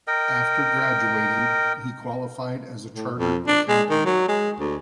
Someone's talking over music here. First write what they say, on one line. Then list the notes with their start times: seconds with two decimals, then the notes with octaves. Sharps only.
After graduating, he qualified as a chartered accountant.
0.07 A#4 D#5 G5
2.94 A2
3.18 F2
3.48 D4
3.68 G#3
3.90 D#3
4.06 F#3
4.28 G#3
4.60 D2